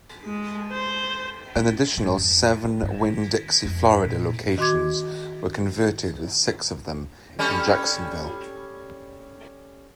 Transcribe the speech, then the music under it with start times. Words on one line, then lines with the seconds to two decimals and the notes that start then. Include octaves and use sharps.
An additional seven Winn-Dixie Florida locations were converted with six of them in Jacksonville.
0.25 G#3
0.73 C5
1.56 C#4
1.97 G#1
2.18 F2
2.63 F3
2.83 G2
3.04 D#3
3.65 F2
4.03 A#2
4.58 D#3 F#4 C6 D6 G#6
7.39 G3 C#4 A4